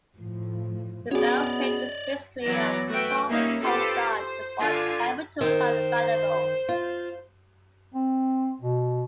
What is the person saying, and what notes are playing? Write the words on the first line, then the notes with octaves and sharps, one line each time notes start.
The bell pit is basically a foxhole dug with whatever tools are available.
A2 F3
B3 C#4 F#4 G#4 C#5 D5
E3 F#3 B3 D5 A#5
A3 F#4 B4 E5 G5
G3 A#3 C#4 D#4 E5 F5
F4 G4 A4 B4 C5
C5
D3 F4 G#5
D#3 C5
F4
C4
B2